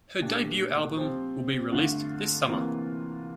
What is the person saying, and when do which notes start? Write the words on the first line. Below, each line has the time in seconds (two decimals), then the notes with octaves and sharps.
Her debut album will be released this summer.
0.21 A#2 A3 D4 G4
0.96 F3 C4 G4
1.72 G2 D3 A3 D4 F4
2.47 C3 E3 A#3 F4